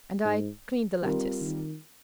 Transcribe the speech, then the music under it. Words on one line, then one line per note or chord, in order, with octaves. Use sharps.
And I--cleaned the lettuce.
G#2
D#3 G3 C4 F4 A#4
D#3